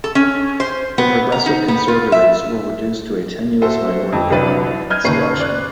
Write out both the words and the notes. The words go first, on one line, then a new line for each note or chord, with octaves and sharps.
The Progressive Conservatives were reduced to a tenuous minority government in this election.
A4
C#4
C5
B3
A#5
D#4
B3
F4
E5
F#4 A4 C5 E5
F2
C2 F#3 D4 B4 A6
D#5 F6 G6 G#6 D#7
F#1 D#2 A#2 B4 C#6 C7
D5 F#6